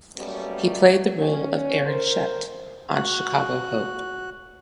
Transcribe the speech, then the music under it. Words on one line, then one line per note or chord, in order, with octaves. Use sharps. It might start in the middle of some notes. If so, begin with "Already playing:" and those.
He played the role of Aaron Shutt on "Chicago Hope".
B2 F#3 G3 A3 A#3 C#4
C#4
A#4 C5
F#4 F#6